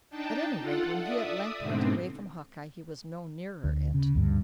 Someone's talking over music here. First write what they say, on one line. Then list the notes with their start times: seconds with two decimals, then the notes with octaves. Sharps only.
At any rate when he at length went away from Hawkeye he was no nearer it.
0.10 D4 D#4 G5 A5
0.60 F4 A4 F#5
1.02 D5 E5 D#6
1.59 G#2 B2 D3 C4
3.64 D2
3.94 C#3
4.15 D2 G2